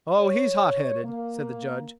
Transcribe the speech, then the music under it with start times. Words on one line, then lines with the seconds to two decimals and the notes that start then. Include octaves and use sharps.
"Oh, he's hot-headed," said the Judge.
0.19 C#5
1.04 A#3